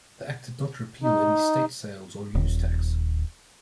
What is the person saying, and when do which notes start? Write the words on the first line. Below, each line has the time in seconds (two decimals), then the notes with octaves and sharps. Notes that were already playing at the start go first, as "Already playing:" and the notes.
The Act did not repeal any state sales or use tax.
1.03 D#4
2.35 D#1